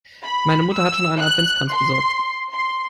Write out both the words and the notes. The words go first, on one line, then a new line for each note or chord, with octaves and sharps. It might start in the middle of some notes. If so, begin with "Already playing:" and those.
Meine Mutter hat schon einen Adventskranz besorgt.
B5
E6
F#6
C6
C6